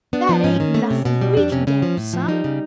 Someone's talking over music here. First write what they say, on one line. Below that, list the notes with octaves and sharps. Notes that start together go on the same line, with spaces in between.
"That ain't nothing; we can get him some."
B3 D4
F3
G#2 C#4
D#3
A3
C3
B2
G3
F2 D4
C3 C#4
C#3 C#4
F3
A2
F3
G3 D#4
C#3